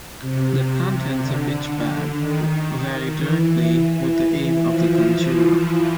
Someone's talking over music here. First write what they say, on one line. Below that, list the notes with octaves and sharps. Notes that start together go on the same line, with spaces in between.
The contents of each bag vary directly with the aim of the conjurer.
C3
D3
D#3
E3
E3
F3